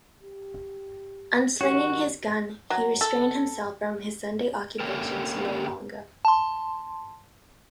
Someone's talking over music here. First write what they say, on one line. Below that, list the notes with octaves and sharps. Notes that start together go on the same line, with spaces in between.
Unslinging his gun, he restrained himself from his Sunday occupations no longer.
G4
D#3 C#4 F#4 G4
F#3
A4
D3 A#3 C#4 G4 A4 A#4
A5 C6